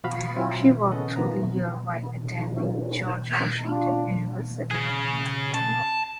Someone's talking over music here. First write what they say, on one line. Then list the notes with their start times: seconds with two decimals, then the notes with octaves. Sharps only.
She worked through the year while attending George Washington University.
0.04 F3 F#4 F5 B5
0.36 F#3 C4 E4 F4
0.92 C#3 B3 C#4 A4 D#5 F#5
1.16 B2 D#3 F3 B3 B4 A#5
3.68 D4 F4
4.71 C#3 G#4
5.54 A5